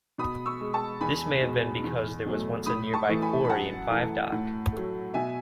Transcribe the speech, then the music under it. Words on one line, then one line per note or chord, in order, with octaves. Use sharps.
This may have been because there was once a nearby quarry in Five Dock.
B2 B5 D#6
C#6 E6
G#3
A5 C#6
E2 G#5 B5
B2 G#3
E2
B2 F#3 A3
A2 B5 D#6
A5 C#6
E3 A3
G#5 B5
B5
F#2 F#5 A5
E3 A3
A2
A3
F#3
B2 E5 G#5